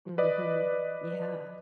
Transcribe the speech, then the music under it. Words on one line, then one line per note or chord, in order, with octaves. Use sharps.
Mhm. Yeah.
B4 D5 D#5